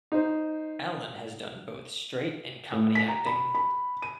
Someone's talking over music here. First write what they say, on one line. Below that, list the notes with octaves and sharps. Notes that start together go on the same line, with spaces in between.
Allen has done both straight and comedy acting.
D#4 C5
A2
B6
A#5
B5
B5
D#7